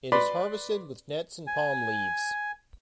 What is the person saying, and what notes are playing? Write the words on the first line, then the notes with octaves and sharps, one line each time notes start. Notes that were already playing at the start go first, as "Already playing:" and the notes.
It is harvested with nets and palm leaves.
B4 D5 B5 C6
G#5